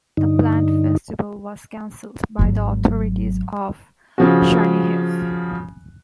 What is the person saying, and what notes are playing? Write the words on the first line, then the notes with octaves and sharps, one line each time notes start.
The planned festival was canceled by the authorities of Chernihiv.
G2 D3 D#4
G#1 F#3
C#3 F3 F#4